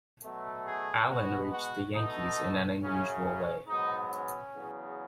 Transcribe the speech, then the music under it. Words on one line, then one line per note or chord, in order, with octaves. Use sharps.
Allen reached the Yankees in an unusual way.
B2 F#3 A3
G#4
B2 G#3 B3 F#4
F#4
B2 A3 D#4
F#2 C#3 F#3 C#4
C#4
G#2 F#3 B3 D#4
C#4
E2 C#3 F#3 B3